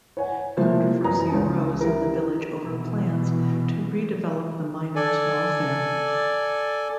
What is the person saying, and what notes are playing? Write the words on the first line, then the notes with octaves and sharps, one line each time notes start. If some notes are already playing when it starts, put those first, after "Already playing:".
Controversy arose in the village over plans to redevelop the Miners' Welfare.
C#5 F#5 G#5
C3 F3 A3 A#3 C4 E4
F#2 E3 A#5 D#6
C#2 C#4 A5
E4 G4 A#4
B2 E3
A4 D5 G#5